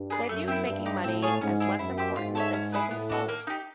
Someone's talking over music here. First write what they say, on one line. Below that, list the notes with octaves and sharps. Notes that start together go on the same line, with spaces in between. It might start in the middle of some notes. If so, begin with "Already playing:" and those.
They viewed making money as less important than saving souls.
Already playing: G2
G#4 B4 D5
F#2 A3
C4 E4
G2 C4
D#4 G4
A2 C4
F4 G#4 C#5
G#2 C#4
E4 G#4
F#2 E4
G4 C5 E5
G#2 F4
A4 C#5 E5
C#4
E4 G#4 B4
A2 B3
D4 F#4 A4
A#3
D#4 G4